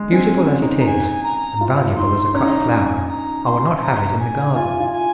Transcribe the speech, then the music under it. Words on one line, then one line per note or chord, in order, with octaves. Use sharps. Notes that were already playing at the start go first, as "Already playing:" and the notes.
Beautiful as it is, and valuable as a cut flower, I will not have it in the garden.
Already playing: G#3
C4 G#5
C#4
D#4
A#5
G#5
A#5
F4
D#4 C6
C#4 A#5
D#4
C#4
G#5
A#5
C6
A#5
G#5
F4 G#5
F4
G#5